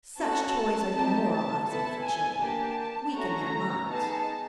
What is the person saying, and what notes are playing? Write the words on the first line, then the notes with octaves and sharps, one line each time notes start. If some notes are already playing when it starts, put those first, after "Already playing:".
Such toys are demoralizing for children--weaken their minds.
C#4 F#4 A4 A5
C4 D#4 G4
A5
B3 E4 A4 A5
G#5
A#3 D4 G4 A5
A3 C#4 F#4 A#5
B3 D#4 G#4 A5